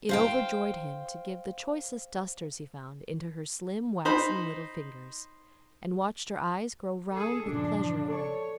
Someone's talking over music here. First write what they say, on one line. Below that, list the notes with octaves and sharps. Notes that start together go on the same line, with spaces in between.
It overjoyed him to give the choicest dusters he found into her slim, waxen little fingers, and watch her eyes grow round with pleasure in them.
C5 F5 G5
D#4 C5 B5
G#4 A4
G2 A#2 C#3 F3 D4
A4 C#5 D5 A5